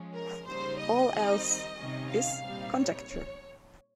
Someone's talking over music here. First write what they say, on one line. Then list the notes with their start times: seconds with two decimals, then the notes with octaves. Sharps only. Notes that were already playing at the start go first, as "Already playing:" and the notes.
All else is conjecture.
Already playing: F3 G#3 C#4
0.13 A#4
0.46 C#3 G3 A#3 D#4 C5
0.79 D#5
1.12 D#3 G3 C4 D#4
1.77 C3 D#3 G3 C#4
2.10 F5
2.42 A#2 G3 C4 D#4
2.76 C#5